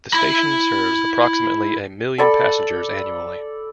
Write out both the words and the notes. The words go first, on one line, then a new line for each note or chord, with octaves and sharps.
The station serves approximately a million passengers annually.
E4 B5
A4 D5 B5